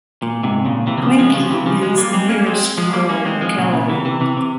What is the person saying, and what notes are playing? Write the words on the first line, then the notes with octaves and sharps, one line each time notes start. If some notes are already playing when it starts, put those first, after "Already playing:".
Glinki is the nearest rural locality.
A#2
G#2 C3
A#2 C#3
C3 E3
E3
C#3 F3
F3 G#3
C#3 F3
C3 E3
C#3 F3
F3 G#3
G3 A#3
G#3 C4
A#3 C#4
G#3 C4
F3 G#3
G3 A#3
A#3 C#4
G#3 C4
F3 G#3
A#2 C#3
A#2 C#3
C3 E3
C3 E3
C3 E3
C3